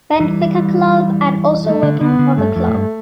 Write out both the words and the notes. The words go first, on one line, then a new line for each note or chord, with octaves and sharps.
Benfica club and also working for the club.
E3 G3
A3
D3
D3 B3
D3
G2 A3
F2
A2
G2